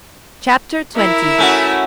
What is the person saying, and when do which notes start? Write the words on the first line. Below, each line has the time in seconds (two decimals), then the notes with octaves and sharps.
Chapter XX.
0.96 E4 A#4 E5
1.38 A3 C#4 F#4